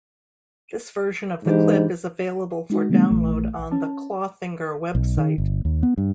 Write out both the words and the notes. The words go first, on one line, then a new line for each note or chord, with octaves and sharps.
This version of the clip is available for download on the Clawfinger website.
G#2 E3 D4 G4
G#3 D#4 F#4
C#3 E3 G3 A3 B3 D4
A#1 E3 A3
A#1 F#5
C#4 A5
B1
D#3
G1
D#2
B3
G2